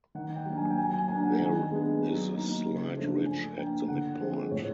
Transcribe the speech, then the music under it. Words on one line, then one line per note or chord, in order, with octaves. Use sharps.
There is a slight ridge at the midpoint.
D#3 F#5
G5
F#3 A#3 D4
G#5
G5
F#3 G#5
G#5
A#3 D4 G#5
F#5
D#3 G#5
G#3 B3 D4
F#3
A#3 D#4
C#3
F3 A3 D4
F3 G#5
A#3 D4 G5
D3 F#5
F3 G#3 C4
A2 C#5